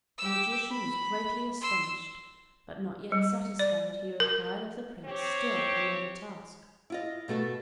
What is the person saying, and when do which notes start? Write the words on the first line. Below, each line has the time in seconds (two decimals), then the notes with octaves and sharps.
The magician was greatly astonished; but not yet satisfied, he required of the Prince still another task.
0.18 G4 E6
0.70 B5
1.61 C6 E6
3.12 G3
3.59 D5
4.20 A#4
5.06 C4 G4 C#5
6.90 E4 F4 D#5
7.28 B2 A3 F#4 A4